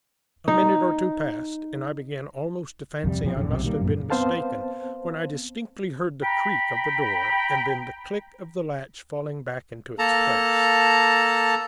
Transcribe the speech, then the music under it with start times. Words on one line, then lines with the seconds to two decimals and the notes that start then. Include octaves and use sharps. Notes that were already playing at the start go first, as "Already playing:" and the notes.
A minute or two passed, and I began almost to fancy I must have been mistaken, when I distinctly heard the creak of the door, and then the click of the latch falling back into its place.
0.48 D#4
3.04 F2 C3 G3
3.23 F2 B2 F3 C4
3.36 D1 A1 D3
3.50 B1 C3
3.64 D#3 G3 A#3
3.81 F#2 A#2
4.10 B3 C4 C5 F5 A5
6.24 G5 A#5 B5
9.99 A#3 A4 A5 A#5